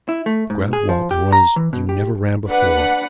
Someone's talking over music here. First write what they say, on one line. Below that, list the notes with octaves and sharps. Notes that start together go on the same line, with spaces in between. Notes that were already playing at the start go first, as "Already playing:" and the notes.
Grab Walt and run as you never ran before!
E4
A3
G#2
G#4
F3
G4
A#5
E3
B2
G4
D4 B4 F#5